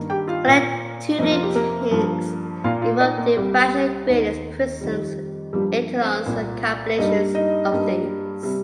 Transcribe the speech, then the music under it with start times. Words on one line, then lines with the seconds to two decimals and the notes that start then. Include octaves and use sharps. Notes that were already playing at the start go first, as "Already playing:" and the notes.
Other tuning techniques involve diffraction gratings, prisms, etalons, and combinations of these.
Already playing: G2 D#3 A#3
0.10 G4 G5
0.28 F4 F5
0.47 A#2 A#3
1.18 F2 C3 F3 A#3 D#4 D#5
1.32 F4
1.43 G4
1.55 A#3 A#4
1.91 G2 F3 A#3
2.64 A#2 A#3 F4 F5
2.82 F4 F5
3.00 D#4 D#5
3.18 A#3 A#4
3.37 C2 C3 G3 G4
4.08 D#2 D#3 A#3
4.81 F2 D#3 G3
5.53 G2 F3 G3 A#3 G4
6.01 C4 C5
6.26 C2 A#2 A#3
6.98 G2 G3 A#3 D#4 D#5
7.35 D#4 D#5
7.72 G2 G3 A#3
8.43 C3 G3